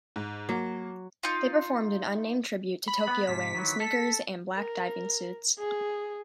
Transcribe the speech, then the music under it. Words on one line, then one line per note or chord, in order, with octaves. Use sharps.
They performed an unnamed tribute to Tokyo wearing sneakers and black diving suits.
G#2
F#3 A#3
D#4 F4
B5
B3
G#2 C3 B6
D#3 E3 F#3
A4
A#4
G#4